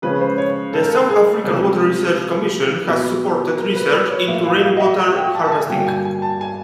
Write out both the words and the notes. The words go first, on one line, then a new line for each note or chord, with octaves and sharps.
The South African Water Research Commission has supported research into rainwater harvesting.
C#3 F3 G#3 C#4 B4
C5
C#5
A4
A#4
A4
G#4
C#2 C3 F3 A4
A#2 F#3 B3
A#4
B4
B4
C#5
A2 F3 A#3 E5
F5
F5
D#5
E5
F#5
G5
A5
A5
G#5
G#5
G2 D3 F#3 A#3 G5
G#5
G#5
A5
G#5